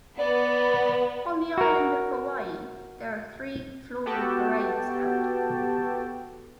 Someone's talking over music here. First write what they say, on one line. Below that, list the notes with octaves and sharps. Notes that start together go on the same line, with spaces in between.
On the Island of Hawaii, there are three floral parades held.
B3 D5
F#4 A#4
B3 F#4 G4 A4 G5 A5